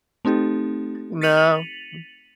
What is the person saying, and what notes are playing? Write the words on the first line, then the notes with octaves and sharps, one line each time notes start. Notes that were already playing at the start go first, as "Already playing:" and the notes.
No m
A3 C4 D#4 G4 A4
A6 B6 C#7 D#7 F7 F#7